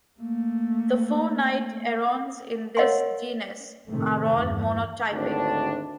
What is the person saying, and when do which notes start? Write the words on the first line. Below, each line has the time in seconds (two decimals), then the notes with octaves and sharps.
The four night herons in this genus are all monotypic.
0.20 A3 A#3
2.77 A#4 C#5 D#5 F5 F#5 C6
3.88 A2 C3 D#3 A3
4.35 E2 G2 E3
5.13 G#1 D2 A2 D4